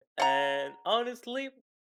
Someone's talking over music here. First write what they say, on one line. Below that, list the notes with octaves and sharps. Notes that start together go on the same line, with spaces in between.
And honestly,
F#5 A#5